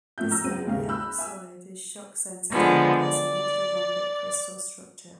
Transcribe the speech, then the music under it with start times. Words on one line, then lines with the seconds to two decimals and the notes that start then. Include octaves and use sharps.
This slightly yellow solid is shock sensitive and has an orthorhombic crystal structure.
0.18 A2 F3 E5 G6
0.31 A#5 E6 A#6
0.44 C#2 F#2 C4 D#7
0.66 F#1 D#2 G#2 F5
0.89 B5 E6 F#6 G6
1.18 E5 G#5 E6
2.50 D3 F3 G#3 B3
2.99 D5